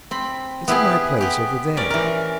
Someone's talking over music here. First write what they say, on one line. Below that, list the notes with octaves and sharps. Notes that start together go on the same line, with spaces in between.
It's at my place over there.'
C4 B5
B3 E4 G4 G#4
B3 G4
C#4 A#4 D5
E3 A#4